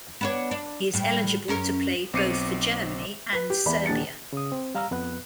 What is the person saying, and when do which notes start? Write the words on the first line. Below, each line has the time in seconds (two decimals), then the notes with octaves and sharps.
He is eligible to play both for Germany and Serbia.
0.21 B3 D4 C#5
0.51 D4
0.94 A2 G3
1.48 F#2 C#4 A#4
2.13 B1 C4 D6 C7 C#7 D#7
3.33 B4
3.50 G4
3.66 E2 E3 D5 B5
3.86 D#1 D4 A6 C#7
4.33 C#3 D#6
4.52 C4
4.75 G3 F5 A#5 E6 F6
4.91 F2 B3 B4 F#6